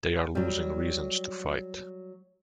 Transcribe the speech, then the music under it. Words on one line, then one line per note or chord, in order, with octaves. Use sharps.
They are losing reasons to fight.
F#3 G3